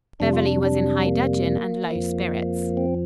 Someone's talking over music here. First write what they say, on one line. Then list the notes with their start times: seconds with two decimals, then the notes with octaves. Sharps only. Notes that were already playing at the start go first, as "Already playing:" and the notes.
Beverly was in high dudgeon and low spirits.
0.20 F2 C3 G3 D4
0.33 F4
0.46 D4
0.63 D4
1.06 A#3
1.91 F2 F3
2.77 C4